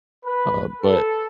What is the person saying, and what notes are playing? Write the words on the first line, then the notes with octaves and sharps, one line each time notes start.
uh, but
B4
A4